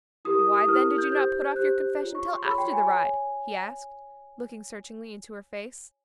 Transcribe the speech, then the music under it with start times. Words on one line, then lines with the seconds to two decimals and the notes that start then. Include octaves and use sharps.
"Why, then, did you not put off your confession until after the ride?" he asked, looking searchingly into her face.
0.25 E4 G4 A#4 D#6
0.39 D#6
0.54 D#6
0.68 E4 G4 A#4 F6
0.98 G6
1.12 G4 C5 G6
1.55 G4 C5 F#6
2.00 F4 G#4 C#5
2.15 C#6
2.28 C6
2.43 F4 G#4 C#5 B5
2.58 G5
2.73 G#5
2.88 C#5